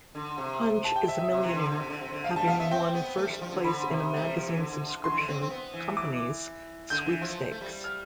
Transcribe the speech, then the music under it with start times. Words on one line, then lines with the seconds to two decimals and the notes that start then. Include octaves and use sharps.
Hunch is a millionaire, having won first place in a magazine subscription company's sweepstakes.
0.15 D3
0.38 C3
0.85 A5
0.96 G5
1.08 E5
1.19 E5
1.32 C3
1.44 E3
1.55 D3
1.72 D3
1.78 C3
1.90 D3
2.01 C3
2.13 D3
2.24 F5
2.36 G3 A5
2.47 B3 F5
2.60 B3 E5
2.71 C4 G5
2.95 B3
3.17 A3
3.30 G3
3.41 F3
3.53 D3
3.64 D3 B5
3.88 C3
4.14 A3
4.25 G3
4.36 F3
4.46 E3
4.57 D3
4.72 D3
5.04 D3 C6
5.12 E3
5.20 D3
5.28 C4
5.42 C4
5.50 B3
5.74 E3
5.97 D6
6.90 D3 G6
7.06 E3
7.21 F3
7.51 A3
7.61 G3
7.84 F6